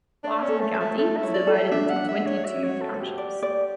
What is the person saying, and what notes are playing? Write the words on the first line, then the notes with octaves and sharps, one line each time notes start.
Barton County is divided into twenty-two townships.
D4 D5
C#4
A4
A3
A5
A3
A3 A4
E4
C#5
D5
A4
E5
D4 E5
F#5
D4
E5
D4
C#5
F#4 E5
C#5
F#4
A4
F#4
G4
D5
D5